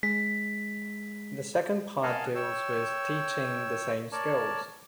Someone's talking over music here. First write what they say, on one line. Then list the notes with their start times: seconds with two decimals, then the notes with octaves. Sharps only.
The second part deals with teaching the same skills.
0.03 G#3 B6
2.03 A#4 D#5 F5 F#5 G#5 A5
2.35 C#5 G5 E6
4.12 A#4 C#5 D5 A5